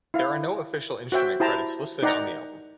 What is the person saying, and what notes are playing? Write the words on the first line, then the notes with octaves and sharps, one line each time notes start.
There are no official instrument credits listed on the album.
E4 F5
F#4 C5 E5 G5
E4 G4 C5 G5 A5 A#5
D#4 D5 F#5 G5 A#5